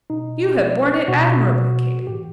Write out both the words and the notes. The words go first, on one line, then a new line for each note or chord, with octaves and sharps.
You have borne it admirably, Katy.
B2 D#4
B2 F#4
A2 E3 G4